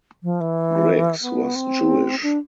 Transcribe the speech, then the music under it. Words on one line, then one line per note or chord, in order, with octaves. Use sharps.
Griggs was Jewish.
F3
E3
B3
C4
D4